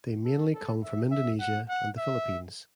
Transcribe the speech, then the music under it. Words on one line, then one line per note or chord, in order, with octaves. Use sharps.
They mainly come from Indonesia and the Philippines.
A4
A4
E5
E5
F#5
F#5
E5